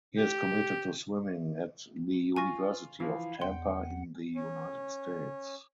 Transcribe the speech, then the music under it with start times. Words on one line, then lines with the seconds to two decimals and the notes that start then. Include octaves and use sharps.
He has committed to swimming at the University of Tampa in the United States.
0.18 G4
2.36 F4 G#5 C#6 A#6
3.00 E3 F3 E4 F5
3.42 E2 F#5 G5 C6
4.35 C#4